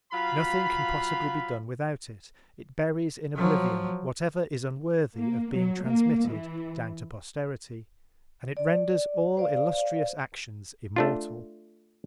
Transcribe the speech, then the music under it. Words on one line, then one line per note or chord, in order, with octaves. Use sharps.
Nothing can possibly be done without it; it buries in Oblivion whatever is unworthy of being transmitted down to Posterity; and it renders all illustrious Actions immortal.
F#3 F4 F5 B5
F3 F#3
A#3
F#3
A#3
E3
D5
C5 D5 F5
A3 D4 F4